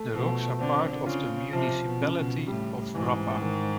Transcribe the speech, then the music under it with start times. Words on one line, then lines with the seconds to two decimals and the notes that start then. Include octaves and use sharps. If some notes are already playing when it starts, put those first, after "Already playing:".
The rocks are part of the municipality of Rapa.
Already playing: A3
0.12 B2 F3
0.59 D3 C4
1.06 C#3 F4
1.53 C3 F3
1.85 B2
2.01 C#3
2.16 B2
2.47 A2 G3
2.94 G#2 E3
3.41 D#3